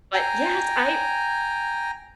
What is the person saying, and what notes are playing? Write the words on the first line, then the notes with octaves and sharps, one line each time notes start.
But yes, I
G5 G#5 A#5